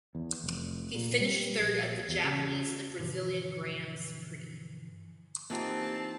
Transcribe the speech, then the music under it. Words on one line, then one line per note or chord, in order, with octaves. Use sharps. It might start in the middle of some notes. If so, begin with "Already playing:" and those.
He finished third at the Japanese and Brazilian Grands Prix.
E2
F1
A#2
G3
A#1
E2
C#3
G2 B2 D3 E3 F3
E3 A#3 C4 D#4 F4 G4 A5